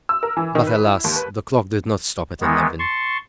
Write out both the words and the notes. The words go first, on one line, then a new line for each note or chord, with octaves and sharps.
But alas! the clock did not stop at eleven.
E6
A#4
E3
D#3
B4
E4
D#2
B4
D#3 E3 G#3 B3
A5 C6 C#6